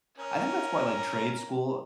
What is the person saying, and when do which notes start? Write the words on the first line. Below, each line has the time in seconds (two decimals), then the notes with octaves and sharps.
I think that's why, like, trade school
0.18 C#4 A#4